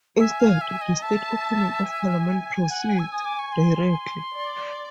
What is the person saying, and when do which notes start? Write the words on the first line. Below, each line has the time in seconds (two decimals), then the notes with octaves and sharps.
Instead, the State Opening of Parliament proceeds directly.
0.19 E5 G#5
0.40 F5
0.61 E5
0.81 D#5
1.02 E5 A5
1.85 G#5
2.69 F#5
2.99 E6
3.12 D#6
3.25 D6
3.39 C#6
3.52 C6
4.35 D5